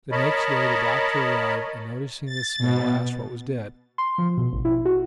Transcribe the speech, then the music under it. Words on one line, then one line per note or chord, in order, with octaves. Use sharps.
The next day the doctor arrived and, noticing the smell, asked what was dead.
A#4 C#5 D#5 A5 B5
A6
B2
C6
F3
B2
A1
E4
F#4